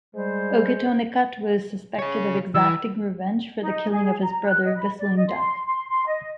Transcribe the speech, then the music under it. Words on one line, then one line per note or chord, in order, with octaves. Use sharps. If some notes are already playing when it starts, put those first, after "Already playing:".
Ogetonicut was suspected of exacting revenge for the killing of his brother, Whistling Duck.
G3 G#3 C5
G#4 C#5
E3 E6
D#4
G#4
A#5
F#6
D#5
B5
D5
D#5
C6
C6
C6
D#5